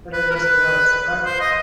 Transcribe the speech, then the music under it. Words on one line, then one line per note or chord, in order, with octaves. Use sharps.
That are just the whites. Right.
B4
A#4
B4
C5
D#5